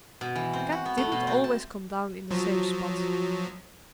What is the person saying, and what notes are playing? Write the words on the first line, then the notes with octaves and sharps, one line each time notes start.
Kat didn't always come down in the same spot.
B2
E3
C4
F#4
B3
A3
B2
C4
A5
F3 F#3